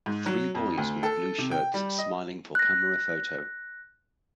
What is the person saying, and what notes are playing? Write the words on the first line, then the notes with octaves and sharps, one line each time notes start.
Three boys with blue shirts smiling for camera photo.
G#2
F#3
F2
D2
A4
C3
G5
G3
D#5
F#6 A#6